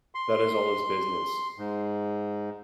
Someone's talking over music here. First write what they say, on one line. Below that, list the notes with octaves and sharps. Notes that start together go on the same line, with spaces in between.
That is all his business.
C6
G#2